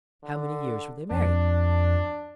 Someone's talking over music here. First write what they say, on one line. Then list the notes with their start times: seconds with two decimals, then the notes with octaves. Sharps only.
"How many years were they married?"
0.23 D3
1.11 F2 D4